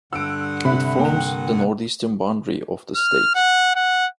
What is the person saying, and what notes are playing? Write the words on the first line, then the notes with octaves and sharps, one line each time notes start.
It forms the northeastern boundary of the state.
G2 D3 F#5 E6 D7
C3 E5 B5 F#6
A#3 G5
F6
F#5
F#5